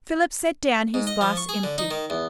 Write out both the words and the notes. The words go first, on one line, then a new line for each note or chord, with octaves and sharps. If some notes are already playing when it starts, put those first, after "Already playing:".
Philip set down his glass empty.
G#2
D#5
F3
C#6
G#4
D3
D#4
D#3
E2